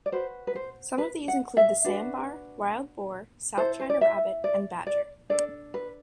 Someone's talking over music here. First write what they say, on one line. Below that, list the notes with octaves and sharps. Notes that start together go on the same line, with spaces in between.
Some of these include the sambar, wild boar, South China rabbit and badger.
D5
F#4 B4 C5
B4
C5
B4
F#5
E5
D4 F#4 B4
E4 A4 C5
C5
D5
E5
D5
D5
D4 A4 D5
B4